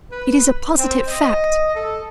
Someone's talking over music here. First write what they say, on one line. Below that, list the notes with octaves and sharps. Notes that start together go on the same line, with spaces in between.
It is a positive fact!
B4
C4
D#5
A4